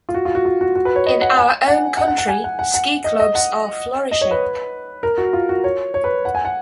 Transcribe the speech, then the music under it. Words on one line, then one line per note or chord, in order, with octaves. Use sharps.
In our own country ski clubs are flourishing.
F4
F#4
F4
F#4
F4
F#4
F#4
B4
C#5
D#5
F#5
G#5
F#5
F#5
F#5
F#5
G#5
F#5
F#5
F#5
D#5
D#5
F#5
D#5
C#5
B4
A#4
F#4
F4
F#4
C#5
C#5
B4
F#5
G#5
F#5